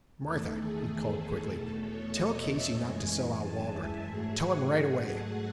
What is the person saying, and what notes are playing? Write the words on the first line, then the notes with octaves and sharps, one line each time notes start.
'Martha,' he called quickly,--'tell Casey not to sell out Waldron--tell him right away.
E2 D#3 A3 A4
G#4
G#4
A4
E2 B2 A3 A4
C#5
D#5
E5
F#2 E3 G#3 G#5
G#5
A5
E5
G#2 F#3 A3 G#4
F#5
G#5
A5